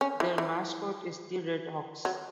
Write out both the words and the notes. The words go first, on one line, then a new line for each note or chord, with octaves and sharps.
Their mascot is the "RedHawks".
C#4
E3
E3
F#3